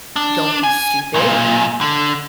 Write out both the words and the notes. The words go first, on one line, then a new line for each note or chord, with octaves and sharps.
don't be stupid,
D4
G#5
B1 A#2
D3